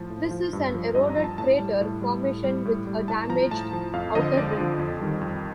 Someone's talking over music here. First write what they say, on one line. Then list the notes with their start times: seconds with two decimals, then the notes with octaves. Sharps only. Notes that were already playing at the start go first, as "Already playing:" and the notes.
This is an eroded crater formation with a damaged outer rim.
Already playing: A2 F3 A5
0.10 A2
0.31 F3
0.53 G2
0.74 F3
0.95 G2 D#5
1.10 A#5
1.16 F3
1.24 A5
1.38 A2 A5
1.59 G3
1.81 A2
2.02 G3
2.24 A2
2.44 G3
2.65 A2
2.87 G3
3.08 A2 A5
3.29 F3 A#5
3.51 A2 A5
3.73 F3
3.93 F2 F5
4.15 D3 F3 D#5
4.37 F2 D5
4.58 D3 F3
4.79 F2
5.01 D#3 G3
5.21 F2